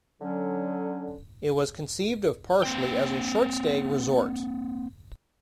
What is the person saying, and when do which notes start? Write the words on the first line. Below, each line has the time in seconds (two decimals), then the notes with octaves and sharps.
It was conceived of partially as a short-stay resort.
0.21 D3 F#3 C#4
2.63 A#3 C4 G5